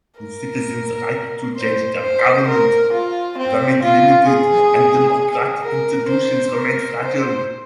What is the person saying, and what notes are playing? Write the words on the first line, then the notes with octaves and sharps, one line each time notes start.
Citizens' right to change their government remained limited and democratic institutions remained fragile.
A#4
C5
C5
A#4
F4
C4
F4
G#4
A#4
C5
A#4
C5